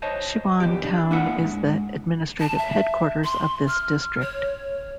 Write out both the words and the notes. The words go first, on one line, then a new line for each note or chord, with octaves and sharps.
Siwan town is the administrative headquarters of this district.
C5 C#5 D#5 A5
E2 A#2 G4
D4
A#3 D4 E4 F#5
G#2
A5
E5
C6
F6
C#5